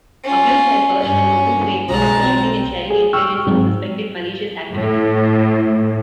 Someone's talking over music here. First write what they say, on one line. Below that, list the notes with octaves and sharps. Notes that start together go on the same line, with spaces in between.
AbuseHelper is an open framework for collecting and sharing intelligence on suspected malicious activity.
C#4 F4
G2 C#4
B1 G#3 A5 A#5
C4
G#4
G5 C#6 E6 F6
G#2 F#3 C4
A2